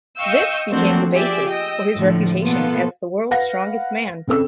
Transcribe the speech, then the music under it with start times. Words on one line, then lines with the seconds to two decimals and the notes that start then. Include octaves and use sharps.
This became the basis for his reputation as the "World's Strongest Man".
0.19 D#5 F5 G5 C#6 E6 G6
0.72 F3 A3 A#3 C4 D4 F#4
1.12 F4 G4 G#4 D5 E5 D6
1.50 D#5 G5 E6
1.98 A2 D3 F3
2.42 B2 F3 A#3 B3 F4 A4
3.31 B4 F5 F#5 A#6
4.27 C#3 C4 A4 E6